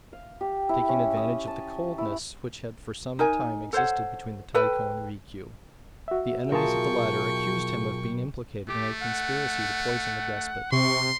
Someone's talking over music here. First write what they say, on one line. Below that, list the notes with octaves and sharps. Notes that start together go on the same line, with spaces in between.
Taking advantage of the coldness which had for some time existed between the Taiko and Rikiu, the enemies of the latter accused him of being implicated in a conspiracy to poison the despot.
F5
G4
E4
C#4
D#6
A5
E4
D#4 A#4 G#5
A4 C5 C#5 F#5
A4 B4 G5
F#4 E5
B1 F4 G#4 A#4 G5 A5 C#6
A3 G4
F#5
C3 C6 C#6